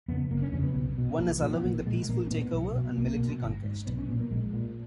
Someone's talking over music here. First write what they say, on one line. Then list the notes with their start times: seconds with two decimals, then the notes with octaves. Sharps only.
One is allowing the peaceful takeover, and military conquest.
0.08 F2 B3
0.11 C#3
0.31 F#1 A#3
0.42 C#4
0.53 F2 C#3 C#4
0.64 B3
0.75 B1
0.98 B2
1.20 B1 A#3
1.42 A#2 F3
1.53 B3
1.64 A#1 A#3
1.87 A#2 G#3
2.09 A#1 A#3
2.27 C#4
2.31 A#2 B3
2.53 B1
2.76 B2
2.98 B1 A#3
3.20 B2
3.43 G#1
3.64 G#2
3.87 B1 B3
3.99 C#4
4.09 A#2 B3
4.21 A#3
4.31 A#1 G#3
4.53 A#2